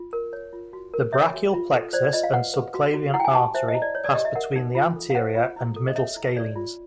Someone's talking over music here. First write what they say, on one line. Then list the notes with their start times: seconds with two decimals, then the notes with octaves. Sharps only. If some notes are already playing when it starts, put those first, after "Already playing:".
The brachial plexus and subclavian artery pass between the anterior and middle scalenes.
Already playing: F4
0.13 A#4
0.33 C#5
0.53 F4
0.73 F#4
0.94 A#4
1.13 C#5 E5
1.33 F#4
1.54 F4
1.74 A4
1.93 C5 D5
2.04 D5
2.13 F4 D#5
2.23 F5
2.34 B4 F#5
2.54 B4
2.74 F#4
2.94 F#4
3.14 E4 F#5
3.20 G5
3.25 G#5
3.34 G4 A5
3.55 C5 E5
3.68 D#5
3.75 E4
3.82 D5
3.95 C#5
4.04 D5
4.14 G4 D#5
4.25 E5
4.35 A#4 F#5
4.56 D#4
4.75 F4
4.96 A4
5.10 F5
5.15 C5 F#5
5.35 F4
5.56 E4
5.76 A4
5.87 D#5
5.96 C#5 E5
6.16 E4
6.36 C#5 D5
6.56 F4